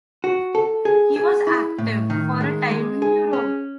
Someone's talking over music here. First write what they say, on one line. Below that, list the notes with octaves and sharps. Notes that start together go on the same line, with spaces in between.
He was active for a time in Europe.
F#4
A4
G#4
G#4
E4
A2
D#3
G#3
G#3
G#4
C#4